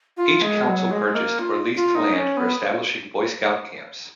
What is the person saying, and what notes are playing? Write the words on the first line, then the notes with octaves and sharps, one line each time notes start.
Each council purchased or leased land for establishing Boy Scout camps.
F4
G#3
F#3
G#3
A#3
F4
F4
D#4
C#4
B3